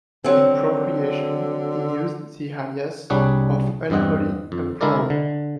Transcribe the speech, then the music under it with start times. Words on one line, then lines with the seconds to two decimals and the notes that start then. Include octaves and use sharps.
In Procreation, he used the alias of Unholy Emperor.
0.24 D3 F#3 C4
3.10 C2 G3 D4 G#4 C#5 F#5
3.90 E2 G2 C4 D#5 F#5
4.52 F2
4.81 D3 G#3 E4 A4 A#4 D5
5.10 D3